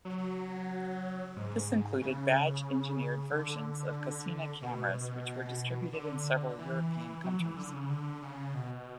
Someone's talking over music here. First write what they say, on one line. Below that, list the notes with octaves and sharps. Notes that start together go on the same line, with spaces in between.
This included badge-engineered versions of Cosina cameras which were distributed in several European countries.
F#3
G#2
C#3
D3
B2
D3
E3
F#3
E3
D3
C#3
D3
C#3
B2